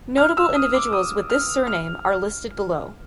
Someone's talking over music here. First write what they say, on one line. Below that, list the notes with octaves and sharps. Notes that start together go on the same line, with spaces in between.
Notable individuals with this surname are listed below.
F6
E6
D#6
D6
D#6
F6
F6